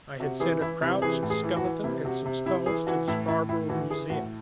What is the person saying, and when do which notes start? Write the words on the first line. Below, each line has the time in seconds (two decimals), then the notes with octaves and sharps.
I had sent a crouched skeleton and some skulls to the Scarborough Museum.
0.20 C3 F#4
0.40 E3 G#4
0.61 E3 E4
0.81 C3 E4
1.02 E3 G#4
1.23 A2
1.30 G#4
1.43 E3
1.56 F#4
1.64 E3
1.84 C3 E4
2.05 C3 F#4
2.26 C3
2.46 C3 E4
2.66 E3 G#4
2.87 E3 F#4
3.08 A2 E4
3.28 A2 E4
3.49 A2 E4
3.69 E3 F#4
3.90 E3 G#4
4.10 A2 F#4